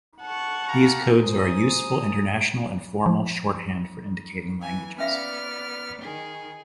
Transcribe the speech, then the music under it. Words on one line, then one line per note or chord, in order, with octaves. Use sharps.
These codes are a useful international and formal, shorthand for indicating languages.
F#5 A5 C#6
G4 F5 A#5
C5 G#5 A#5 D#6
F3
E3 G#5
B3 C#4 D5 E5 F5 F6
D#3 G#4